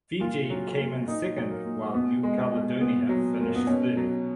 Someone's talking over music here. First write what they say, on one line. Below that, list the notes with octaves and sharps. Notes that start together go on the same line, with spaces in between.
Fiji came in second while New Caledonia finished third.
A#2 F4
F#3
A#2
A#2 D#4
F#3
A#3
A#2
B2 B3
G#3
B3
B2
A#2 B3
F#3
A#2 A#3
B3
B2 C#4
F#3